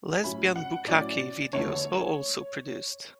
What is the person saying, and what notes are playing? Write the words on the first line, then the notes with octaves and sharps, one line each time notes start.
"Lesbian bukkake" videos are also produced.
A2 F#3 C#4 E4 B5
F#5
A2 F#3 C#4 E4 D5
E2 D3 A3 D4 C#5